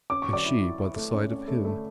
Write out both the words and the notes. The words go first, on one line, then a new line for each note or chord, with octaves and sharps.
And she by the side of him!
C#4 D6
C#6
F#3
D5 D6
E4
E4
E4
A3
C#4
C#4
A3
A3